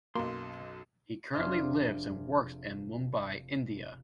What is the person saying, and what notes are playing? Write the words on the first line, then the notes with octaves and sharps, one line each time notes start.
He currently lives and works in Mumbai, India.
B1 F#2 B2 A#3 C6
F1 D4 G#4 C5 E5 F6